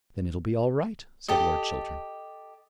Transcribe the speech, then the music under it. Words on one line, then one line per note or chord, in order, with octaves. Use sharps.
"Then it'll be all right," said Lord Chiltern.
G4 A4 D#5